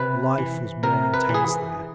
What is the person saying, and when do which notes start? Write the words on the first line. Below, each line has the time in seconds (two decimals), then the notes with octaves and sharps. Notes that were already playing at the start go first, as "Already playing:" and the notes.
Life was more intense there.
Already playing: C3 B4
0.38 E3
0.83 C3 A#4
1.14 B4
1.29 E3
1.34 G#4